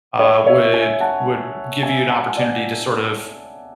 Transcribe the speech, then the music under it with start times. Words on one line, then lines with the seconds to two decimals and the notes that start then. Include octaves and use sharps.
uh, would would give you an opportunity to sort of
0.19 C#5 E5
0.46 C#5 E5
0.74 E5 G#5
1.00 F#5 A5
1.83 E5 G#5
2.09 F#5 A5
2.37 D5 F#5